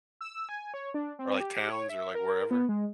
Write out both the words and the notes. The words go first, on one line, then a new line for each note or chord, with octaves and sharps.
or, like, towns or, like, wherever,
E6
G#5
C#5
D4
C4
G4
C#5
E5
A#4
B3
G#3